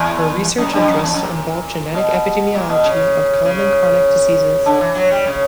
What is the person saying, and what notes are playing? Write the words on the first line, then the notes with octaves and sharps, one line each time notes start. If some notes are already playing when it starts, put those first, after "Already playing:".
Her research interests involve genetic epidemiology of common chronic diseases.
Already playing: E2
F#2
G2
F#2
E2
F#2
A#2
B2
A#2
B2
C#3
C#3
D3
E3
F#3
G3
C#3